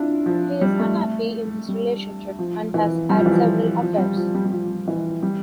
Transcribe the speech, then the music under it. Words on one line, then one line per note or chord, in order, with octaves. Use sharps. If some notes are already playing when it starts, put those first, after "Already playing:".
He is unhappy in his relationship and has had several affairs.
Already playing: D4 E4 F4
F3
G3
A3
G3
F3
E3
G3
F3
E3
F3
F3
G3
F3
G3
G3
F3
E3
G3